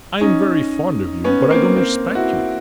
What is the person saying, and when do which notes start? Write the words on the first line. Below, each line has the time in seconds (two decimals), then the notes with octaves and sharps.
I am very fond of you, but I don't respect you.
0.21 C#4 D#4
1.24 B3 C#4
1.50 A#3 C4
1.76 A#3 C4
2.15 E4 F#4